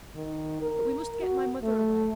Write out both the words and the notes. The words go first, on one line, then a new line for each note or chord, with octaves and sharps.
But we must get my mother away.
D#3
A#4
F#4
A3